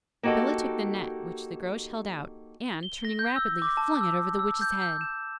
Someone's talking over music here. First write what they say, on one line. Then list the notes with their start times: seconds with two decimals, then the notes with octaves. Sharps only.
Bellah took the net which the Groac'h held out, and, turning rapidly, flung it over the witch's head.
0.23 A#3 D#4 F#4 G4 A4
2.83 G7
3.05 A#6
3.19 G6
3.36 E6
3.62 D6
3.77 A5
4.01 E6
4.39 E6
4.61 G6
4.82 G6
5.01 E7